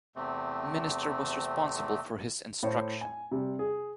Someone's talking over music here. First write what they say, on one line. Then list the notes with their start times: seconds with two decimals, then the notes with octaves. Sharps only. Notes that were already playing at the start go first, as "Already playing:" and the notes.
Minister was responsible for his instruction.
0.16 E2 C3 A3 C4
2.63 A2 C5 C#5
3.01 G#5
3.31 C3 G3
3.59 G#4